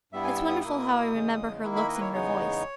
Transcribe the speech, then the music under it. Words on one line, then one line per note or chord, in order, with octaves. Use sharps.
It's wonderful how I remember her looks and her voice.
G2 G3 B3 E4 E5
G#5
E6
D#6
B2 A#3 E4 D#6
E2 C#3 G#3
D#3 A#3 E4
B5
D#5
B4
C#5
E2 C#3 G#3 B3 D#4 C#5